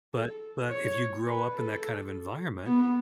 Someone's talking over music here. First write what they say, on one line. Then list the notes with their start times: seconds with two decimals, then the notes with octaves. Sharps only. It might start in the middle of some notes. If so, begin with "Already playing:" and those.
but but if you grow up in that kind of environment,
0.14 A4
0.70 C#5
1.26 B4
1.54 A4
2.66 B3